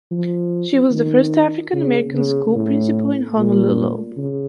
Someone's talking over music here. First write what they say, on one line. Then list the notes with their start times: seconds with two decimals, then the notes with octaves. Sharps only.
She was the first African American school principal in Honolulu.
0.11 F3
0.92 D#3
1.73 C#3
2.14 C#3
2.55 A2
3.36 A#2
4.17 C#3